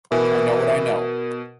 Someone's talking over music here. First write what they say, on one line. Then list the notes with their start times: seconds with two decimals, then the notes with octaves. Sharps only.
I know what I know.
0.12 B2 E3 A#4